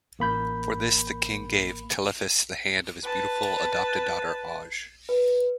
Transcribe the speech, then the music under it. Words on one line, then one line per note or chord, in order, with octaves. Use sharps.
For this the King gave Telephus the hand of his beautiful adopted daughter Auge.
A1 A#3 B5 G6
B4 A5
B4